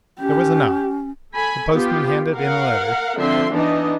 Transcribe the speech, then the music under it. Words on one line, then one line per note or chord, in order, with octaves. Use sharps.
There was a knock-the postman handed in a letter.
C#4 G4
A4 G#5 B5
B3 F4 G4
A#4 F5 F#5
D3 F3 C4 E5 C6
E3 B3 D4 D#4 D#5